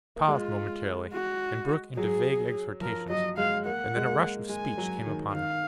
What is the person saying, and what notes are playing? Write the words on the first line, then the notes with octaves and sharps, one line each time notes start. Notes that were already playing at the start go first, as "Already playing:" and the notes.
He paused momentarily, and broke into vague exhortations, and then a rush of speech came upon him.
A#3
G#3 F4
F#4
F#3 G#4
F3 A#4
F#3 D#5
G#3 F5
A#3 F#5
G#3
A#3
G#3 G#5
F#3
D#3
D#3 F5